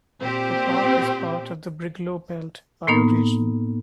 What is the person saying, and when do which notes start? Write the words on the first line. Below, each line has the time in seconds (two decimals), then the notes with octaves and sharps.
The park is part of the Brigalow Belt bioregion.
0.21 A#2 C4 G4 C5
2.87 A2 A#3 B3 D#4